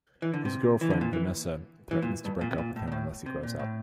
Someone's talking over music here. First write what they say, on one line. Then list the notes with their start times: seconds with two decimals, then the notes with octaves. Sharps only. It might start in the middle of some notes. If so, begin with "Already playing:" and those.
His girlfriend, Vanessa, threatens to break up with him unless he grows up.
0.22 E3
0.34 D3
0.45 C3
0.81 E3
0.90 D3
1.01 A#2
1.13 E3
1.91 E3
2.02 A#2
2.25 G2
2.41 A#2
2.51 C3
2.58 A#2
2.76 A2
2.88 A#2
2.92 A2
3.26 C3
3.43 A#2
3.59 A2